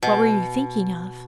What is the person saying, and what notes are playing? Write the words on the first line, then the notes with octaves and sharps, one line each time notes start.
"What were you thinking of?"
B2